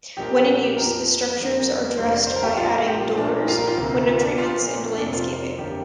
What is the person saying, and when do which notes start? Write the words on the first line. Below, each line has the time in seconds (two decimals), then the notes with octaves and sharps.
When in use, the structures are dressed by adding doors, window treatments and landscaping.
0.17 A#1 A#2 G3 A#3 G4
0.65 G4
0.77 F2 F3 A#3 A#4
1.37 F2 D3 G3 A#3
1.97 F1 F2 D3 G3 A#3 C5
2.12 D5
2.27 C5
2.36 A#4
2.43 G4
2.57 A#1 A#2 A#3 F4
2.88 G4
3.02 F4
3.18 A#1 A#2 G3 A#3 D4
3.48 F4
3.57 A#4
3.68 F4
3.77 D2 C3 A#3
4.08 F4
4.23 D4
4.38 A#1 A#2 A#3 F4
4.98 F2 C3 A#3 D4
5.13 F4
5.58 G1 F2 D3 A#3 G4